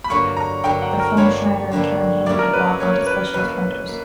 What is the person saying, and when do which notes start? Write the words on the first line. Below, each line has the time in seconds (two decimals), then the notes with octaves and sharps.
The formschneider in turn handed the block on to specialist printers.
0.04 B5
0.10 G2 D3 F#3 A#3 C#6
0.37 A#5
0.64 G2 D3 F#3 A#3 G5
0.82 F#5
1.00 A#4
1.17 G2 D3 G3 A#3 D4 C#5
1.72 G2 D3 G3 A#3 D4
2.26 F#3 A#3 C#4 E4 D5
2.39 A#4
2.53 B4
2.66 C#5
2.80 F#3 A#3 C#4 E4 C#5
2.93 C#5
3.07 B4
3.34 E2 B2 F#3 A#3 B4
3.88 B2 A#3